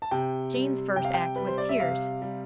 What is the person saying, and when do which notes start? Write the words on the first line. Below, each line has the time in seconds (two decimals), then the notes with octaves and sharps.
Jane's first act was tears.
0.02 A5
0.11 C3 G5
0.54 G3
0.96 C3 G5
1.05 F5
1.14 G5
1.36 G3 B4
1.47 C5
1.58 D5
1.69 E5
1.80 C3 F5
2.22 G3